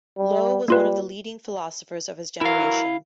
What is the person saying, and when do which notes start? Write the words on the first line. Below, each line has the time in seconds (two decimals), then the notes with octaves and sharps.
Lowe was one of the leading philosophers of his generation.
0.18 G3
0.68 G3 A#3 F4 B4
2.41 E3 F#3 E4 A#4 F5